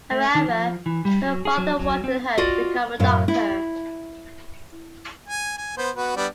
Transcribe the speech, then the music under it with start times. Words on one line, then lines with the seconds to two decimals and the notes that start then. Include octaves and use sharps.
However her father wanted her to become a doctor.
0.11 A3
0.35 D#3
0.49 F3
0.86 E3
1.05 G3
1.22 F#3
1.45 G#4
1.58 F#3
1.79 F#3
2.04 C4
2.38 F4 F#4 D5 D#5
2.99 F#2 A2 F5
3.28 E4
5.28 G#5
5.58 G#5
5.77 B3 C5
5.96 B3 F#4 B4
6.16 G3 B3 D4